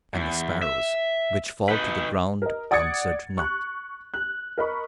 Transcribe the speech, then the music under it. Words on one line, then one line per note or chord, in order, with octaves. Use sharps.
And the sparrows, which fall to the ground, answered not.
E2
E5
D#4 B4
A#4 D#5
D5 F#5 D#6 G#6 A6 C#7
C#6 F#6
F#6
A#4 D#5 B5 C#6